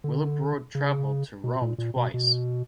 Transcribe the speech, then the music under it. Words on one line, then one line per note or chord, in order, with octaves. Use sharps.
Willibrord travelled to Rome twice.
D3
C#3
B2
A#2
A#2
B2
B2